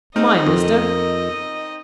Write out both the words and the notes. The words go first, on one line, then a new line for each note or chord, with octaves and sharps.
"Mine, mister."
G#3 C4 D#4 D#5 F6
F2 A#4